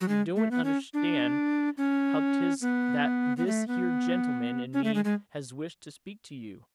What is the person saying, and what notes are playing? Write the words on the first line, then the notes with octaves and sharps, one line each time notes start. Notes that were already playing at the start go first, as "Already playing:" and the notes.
'You doen't understand how 'tis that this here gentleman and me has wished to speak to you.
F#3
G#3
A3
B3
C#4
D4
C#4
B3
B3
A3
B3
C#4
A3
G#3
G#3